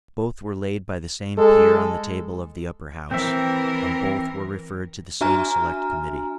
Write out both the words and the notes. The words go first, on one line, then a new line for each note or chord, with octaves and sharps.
Both were laid by the same peer on the table of the Upper House; and both were referred to the same select committee.
G#3 A4
E3 C4 A#4 E5
D4 F#4 E5 G#5 A#5 F6